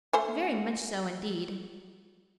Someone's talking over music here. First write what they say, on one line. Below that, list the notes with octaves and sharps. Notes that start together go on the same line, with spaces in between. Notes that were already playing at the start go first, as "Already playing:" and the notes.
'Very much so indeed.
A3 C5 G#5